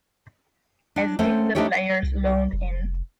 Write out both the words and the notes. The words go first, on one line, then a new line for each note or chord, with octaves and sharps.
As did the players loaned in.
D4
A3 C4 C#4 C5 F#5
A3 D4 D#4 G4 C5 C#5
C2
F1